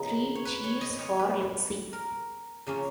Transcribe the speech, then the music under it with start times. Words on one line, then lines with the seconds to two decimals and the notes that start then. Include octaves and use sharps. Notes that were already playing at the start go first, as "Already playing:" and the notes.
Three cheers for Lexi!
Already playing: C#3 F3 B3 D#4 G#4 A#4
0.35 C#5
0.45 B4
0.64 C#5
0.81 D#5
0.93 D#5
1.01 C#5
1.19 B4
1.93 A#4
2.67 C#3 F3 A#3 C#4